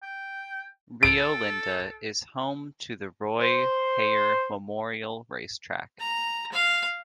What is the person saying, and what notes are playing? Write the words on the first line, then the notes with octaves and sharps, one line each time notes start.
Rio Linda is home to the Roy Hayer Memorial Race Track.
G5
A4 D7
C5
A#5
F5